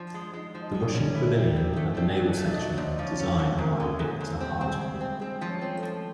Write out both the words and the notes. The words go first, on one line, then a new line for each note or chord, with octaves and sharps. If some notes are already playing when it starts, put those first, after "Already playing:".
The Russian pavilion had a naval section designed by Viktor Hartmann.
Already playing: F3 D4
G#3
G#3 D#4 D#5
F3
D#4 D#5
G#3
D4 D5
C#4
D4 E4 D5
C4
D4 D5
C4
D5
D#4 D#5
A3
C4 D4 D5
F#3
D4 D5
A3
D5
D#4 D#5
F#3
G#2 D4 D5
F3 D5
C#4 C#5
C#4
C4 C5
G#2
G#2 A#3 A#4
G#3
G#4
G#2 A3 A4
G#2
G3 C4 G4
C4
G#3 G#4
C4
G3 G4
C4
G#3 C4 G#4
F3
C#4 C#5
C4
A3 A4
F3